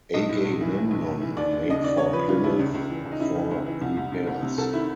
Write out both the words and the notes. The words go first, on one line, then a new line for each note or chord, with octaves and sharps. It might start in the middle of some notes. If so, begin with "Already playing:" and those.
"Agamemnon" made for Plymouth for repairs.
B1 D#5
A2
B1
E3
A2
B1
B1
E3
D#2 D5
D#2
C#3 D#5
D#2 D5
C#3 C#5
F3 B4
C#3 F4
D#2 E4
C#2
C#2
E3
C#2
D#4
C#3 E4
E3
C#2
E3
C2
C2
C2
C2
C3
C2 A4
D#3 E4